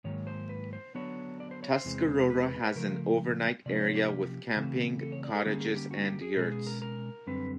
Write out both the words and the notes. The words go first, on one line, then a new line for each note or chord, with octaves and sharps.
Tuscarora has an overnight area with camping cottages and yurts.
G#2 D#3 F#3 A#3 C#5
C5
B4
C5
D3 F#3 B3 D4 C#5
D5
C5
C#5
C5
E2 C3 E3 G#3
B4
C#3 F3 A3 A#4
C3 F3 A#3 C#4 D5
C#5
G4
C#3 E3 A3 C4
A4
C#5
D5
A4
D3 G3 A#3 C#4 G#4
G#4
G4
F#4
G4
G#4
B2 G#3 C#4 G#4
G#4
A#4
A#4
F#2 D3 G3 C4 B4